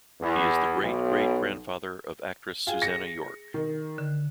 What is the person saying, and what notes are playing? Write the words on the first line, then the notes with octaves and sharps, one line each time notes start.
He is the great-great grandfather of actress Susannah York.
E2
B1
F4 G#4 G5 G#5
A#6 C#7
D#3
D3